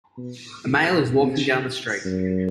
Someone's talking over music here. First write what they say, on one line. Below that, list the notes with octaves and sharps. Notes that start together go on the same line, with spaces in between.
A male is walking down the street.
B2
D3
C3
F#2